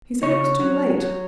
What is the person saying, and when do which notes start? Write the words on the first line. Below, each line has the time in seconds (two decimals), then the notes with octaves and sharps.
He said it was too late.
0.23 C#3 C#5
0.60 F#3
0.98 F#3